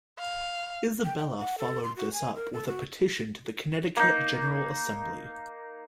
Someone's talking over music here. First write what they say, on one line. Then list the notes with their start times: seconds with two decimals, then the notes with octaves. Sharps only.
Isabella followed this up with a petition to the Connecticut General Assembly.
0.19 F5
1.05 G5
1.18 G5
1.38 F#5
1.58 A4
1.84 C6
1.96 F#4
2.13 G#5
2.35 A#4
2.53 A4
2.68 F#4
3.97 A#3 D#4